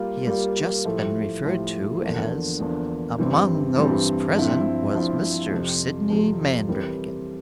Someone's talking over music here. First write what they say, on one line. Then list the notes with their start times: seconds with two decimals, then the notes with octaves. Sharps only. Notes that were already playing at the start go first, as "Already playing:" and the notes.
He has just been referred to as "Among those present was Mr. Sidney Mandragon."
Already playing: G3 A#3 F4
0.27 G3 A#3 F4
0.85 A2 F3 A3 E4 G4
1.44 A2 F3 A3 E4 G4
2.02 E2 D3 F3 A#3 D4
2.60 E2 D3 F3 A#3 D4
3.18 G2 E3 G3 C4
3.77 G2 E3 G3 C4
4.35 G2 F3 C4 E4
4.93 G2 F3 C4 E4
5.51 F2 C3 F3
6.10 F2 C3 F3
6.68 E3 G3 C4 G4 A#4